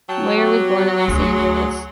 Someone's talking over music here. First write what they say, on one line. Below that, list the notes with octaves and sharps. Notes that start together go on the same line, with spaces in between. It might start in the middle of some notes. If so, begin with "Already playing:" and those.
Moyer was born in Los Angeles.
F#3 G5 A5
B3 F#4 G4
D2 G#4 C6